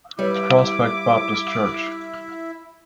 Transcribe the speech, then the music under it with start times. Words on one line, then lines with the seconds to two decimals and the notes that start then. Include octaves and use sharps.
Prospect Baptist Church.
0.19 G3 E4 B4 C#5 D6